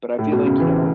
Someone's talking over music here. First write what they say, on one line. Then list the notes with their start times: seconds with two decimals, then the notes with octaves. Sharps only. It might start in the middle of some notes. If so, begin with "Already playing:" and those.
but I feel, like, you know,
0.19 A2
0.32 B2
0.46 C#3
0.60 E3